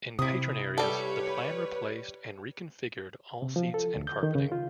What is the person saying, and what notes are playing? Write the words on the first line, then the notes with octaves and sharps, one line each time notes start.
In patron areas, the plan replaced and reconfigured all seats and carpeting.
C3 E4 D#6
G3 G4 A4 B4 C#5
C3
F3
A4
D2
G6
D#3
C#3
F4